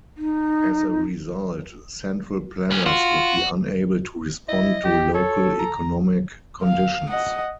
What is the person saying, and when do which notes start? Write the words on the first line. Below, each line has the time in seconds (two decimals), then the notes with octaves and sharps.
As a result, central planners would be unable to respond to local economic conditions.
0.17 D#4
2.71 D2 C#4
2.86 F4 F#4
4.49 E4 D#5
4.84 G4
5.14 A4 C#5
5.59 A#5
6.63 F5
7.09 D#5 F#5